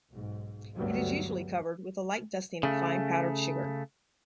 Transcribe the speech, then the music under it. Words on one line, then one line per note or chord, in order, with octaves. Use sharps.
It is usually covered with a light dusting of fine powdered sugar.
B1 G#2
D2 G2 F#3 G3 B3
C#3 A3